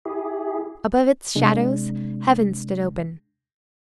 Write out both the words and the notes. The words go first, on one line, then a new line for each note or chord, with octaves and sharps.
Above its shadows heaven stood open.
E4 G4 G#4
C3 G#3 D4